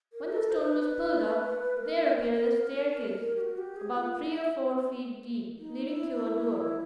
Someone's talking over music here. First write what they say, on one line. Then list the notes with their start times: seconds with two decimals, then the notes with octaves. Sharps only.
When the stone was pulled up, there appeared a staircase about three or four feet deep, leading to a door.
0.13 A#4
0.31 A4
0.50 C5
0.62 C5
0.67 B4
1.77 A#4
2.32 A#4
3.36 G4
3.40 F#4
3.58 G4
3.76 G#4
3.94 F4
4.22 E4
4.29 D#4
4.36 E4
5.58 D#4
5.86 E4
6.12 E4